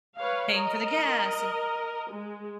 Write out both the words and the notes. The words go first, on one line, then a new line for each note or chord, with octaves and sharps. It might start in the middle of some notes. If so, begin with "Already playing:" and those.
p paying for the gas, and
B4 C#5 F5
A#4 D#5
G#3